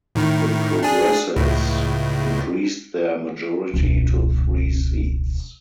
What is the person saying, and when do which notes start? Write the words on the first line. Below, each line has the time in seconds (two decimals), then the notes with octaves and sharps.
The Progressives increased their majority to three seats.
0.15 A2 D#3
0.83 D4 G#4
1.36 C#2 A2
3.74 E1 C#2